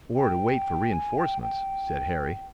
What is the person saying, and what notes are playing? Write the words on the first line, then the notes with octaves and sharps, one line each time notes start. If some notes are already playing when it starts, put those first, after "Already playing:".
"Or to wait for reinforcements," said Harry.
G5
G#5
G5
G5